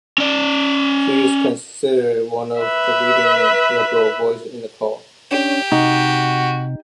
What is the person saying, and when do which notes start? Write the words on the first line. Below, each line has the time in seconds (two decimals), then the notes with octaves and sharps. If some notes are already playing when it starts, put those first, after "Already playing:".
She is considered one of the leading liberal voices in the Court.
0.18 C#4 D5
2.60 B4 E5
5.31 C#4 D4 G4 C#5
5.72 C3 D#4 F#4